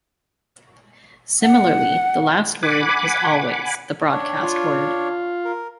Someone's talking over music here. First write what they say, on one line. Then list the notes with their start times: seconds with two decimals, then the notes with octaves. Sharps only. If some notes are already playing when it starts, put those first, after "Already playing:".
Similarly, the last word is always the broadcast word.
1.42 F#5
2.63 F#5 G#5 B5 D6
4.12 D4 C#5
4.43 F4
5.45 A#4